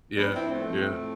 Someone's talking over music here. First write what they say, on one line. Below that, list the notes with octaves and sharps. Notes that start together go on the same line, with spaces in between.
Yeah, yeah.
F3 B3 D4
D4
C4 E4
A2
A3 C4
F3
A2